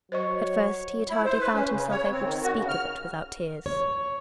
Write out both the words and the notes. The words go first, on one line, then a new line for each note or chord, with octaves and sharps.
At first he had hardly found himself able to speak of it without tears.
F#3 C5 C#5 D#5 C#6
E4
C5
B4
C#4
C#3
C#5
C4
D#3
F#4
C#3
F6
C#5